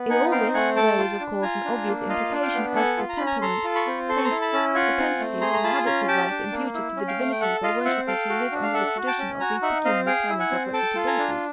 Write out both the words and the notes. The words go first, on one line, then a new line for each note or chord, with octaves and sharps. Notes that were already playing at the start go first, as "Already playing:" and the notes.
In all this there is of course an obvious implication as to the temperament, tastes, propensities, and habits of life imputed to the divinity by worshippers who live under the tradition of these pecuniary canons of reputability.
Already playing: B3
D#4 F#5 G#5
C4 F5 G5
A3 F#5 G#5
A4 G5 A5
F4
D4
F4 G#5 A#5
D4
A#3
F4 D#5 F5
D4
F5 G5
B3
A4 F#5 G#5
F4
A#5
C#4 B5
G#5 A#5
A4 A#5 C6
F4
B5 C#6
C4
A4 C6
C#6
A#5 C6
E4
A5 B5
C#4
F4 F#5 G#5
C4
A3
G#4 A#5 C6
A#5
F4 A5 B5
C#4 G#5 A#5
G4 G5 A5
D4
A#3
E4
C#4
F5 G5
A3
G5
A4 E5 F#5
F4 D#5 F5
C4 E5 F#5
A4 F5 G5
F#4
D4
F5
A4 E5 F#5
F#4
G5 A5
C#4
F#4 G#5 A#5
D#4 E5 F#5
C4 D#5 F5
G#4 F5 G5
E4
F#5 G#5
C4
A4 G5 A5
F4
G#5 A#5
D4